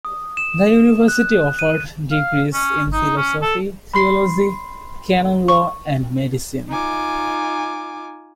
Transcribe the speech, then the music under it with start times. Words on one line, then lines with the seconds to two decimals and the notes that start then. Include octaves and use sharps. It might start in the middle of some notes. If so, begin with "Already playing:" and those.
The university offered degrees in Philosophy, Theology, Canon law and Medicine.
0.05 D#6
0.37 E7
1.08 F#6
1.59 D#7
2.11 F5
2.54 C#4
2.93 D#4
3.17 C#4
3.42 A4
3.94 B5 C6 C7
5.48 C#6
6.68 D#4 F4 G#5 D6